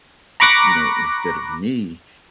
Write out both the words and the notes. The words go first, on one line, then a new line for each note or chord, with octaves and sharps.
you know, instead of me,
A#5 B5 C#6 D6 F#6 A#6